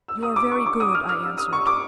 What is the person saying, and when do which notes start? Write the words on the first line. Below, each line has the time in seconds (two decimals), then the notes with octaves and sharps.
"You are very good," I answered.
0.08 E6
0.23 D#6
0.36 D6
0.51 C#6
0.66 D6
0.80 D#6
0.95 F6
1.09 F6
1.23 E6
1.38 D#6
1.53 C#6
1.67 D6